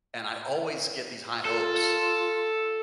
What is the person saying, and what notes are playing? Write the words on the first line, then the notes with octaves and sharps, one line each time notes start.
And I always get these high hopes
F4 A4